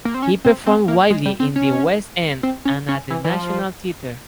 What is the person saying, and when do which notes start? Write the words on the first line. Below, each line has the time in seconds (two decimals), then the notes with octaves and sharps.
He performed widely in the West End and at the National Theatre.
0.05 A#3
0.14 C4
0.22 C#4
0.44 C4
0.66 C4
0.88 A#3
1.10 G#3
1.26 G3
1.40 C4
1.56 C#4
2.43 C4
2.65 C#4
2.89 C#4
3.10 E3
3.24 E3
3.32 F3